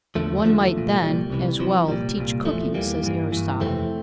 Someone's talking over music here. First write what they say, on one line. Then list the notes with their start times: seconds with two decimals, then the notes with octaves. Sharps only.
One might then as well teach cooking, says Aristotle.
0.15 E2 D3 F3 A3
0.40 G3
0.45 E2 D3 F3 A3
0.73 C2 A#2
1.02 C2 A#2 G3
1.30 C2 C3 E3
1.59 C2 C3 E3 F3
1.88 C2 A#2 G3
2.18 C2 A#2
2.45 E2 E3 F3 A3
2.74 E2 E3 G3 A#3
3.03 G2 E3
3.32 G2 E3
3.61 F2 C3 E3 A3 C4